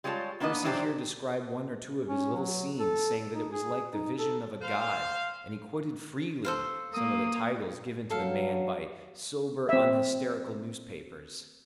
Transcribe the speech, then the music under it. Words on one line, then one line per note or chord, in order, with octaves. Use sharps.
Percy here described one or two of his little scenes, saying that it was like the vision of a god: and he quoted freely some of the titles given to the Man by sober, unhysterical newspapers.
G3 G#3 F4 C#5 A5
A#3 B3 D4 B4 D#5
E3 F#3 D4 G4 B4 C5
C#4
F#3
A4
D#4
G#4
D#4
A4
C5 F5
A4 C5 F5
A#3 D#6
F#3 A4 F5
C4 E5